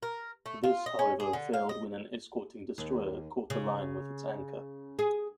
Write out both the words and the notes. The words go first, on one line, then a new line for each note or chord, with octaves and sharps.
This, however, failed when an escorting destroyer caught the line with its anchor.
A#4
A3
F4
D#5
C#4
G#4
D3
F5
D#5
D#2
C#3
G#4